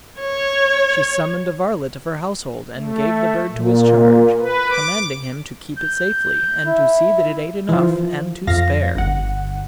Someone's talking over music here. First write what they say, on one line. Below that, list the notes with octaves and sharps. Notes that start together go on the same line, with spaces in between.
She summoned a varlet of her household and gave the bird to his charge, commanding him to keep it safely, and to see that it ate enough and to spare.
C#5
A3
A#2
B4
D6
G6
E4
E3 F3
F2 F5 A#6
G1 F#5